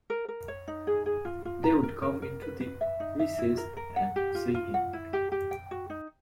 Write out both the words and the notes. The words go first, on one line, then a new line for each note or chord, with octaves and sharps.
They would come into the recess and see him.
A#4
A#4
C#5
D#4
G#4
G#4
F4
F4
A#5
A#4
A#4
A#4
B4
B4
E5
D#4
E5
E4
A#4
A#4
F#5
G4
F4
F4
F#5
E4
G4
G4
G5
F#4
D#4